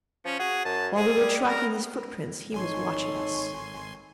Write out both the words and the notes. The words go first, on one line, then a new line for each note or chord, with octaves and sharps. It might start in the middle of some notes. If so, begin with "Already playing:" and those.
While we were tracking his footprints he was watching us.
F3 C#4
F#4 G#4
F#2 A5
G#2 G#4
G3
A#4
G#1 D#4 A4 C#5 G#5 C6